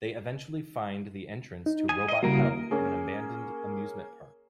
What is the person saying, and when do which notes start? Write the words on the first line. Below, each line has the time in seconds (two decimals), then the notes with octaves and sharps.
They eventually find the entrance to Robot Hell in an abandoned amusement park.
1.66 D#4
1.89 G#5 D#6
2.08 D#5
2.23 C#3 G3 A#3 E4 F#4 A#4
2.71 A#3 C#4 G#4